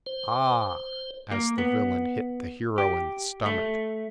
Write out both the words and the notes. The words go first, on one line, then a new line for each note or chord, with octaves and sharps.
"Ahhhhh," as the villain hit the hero in the stomach....
C5
A#3
B3
G4
A3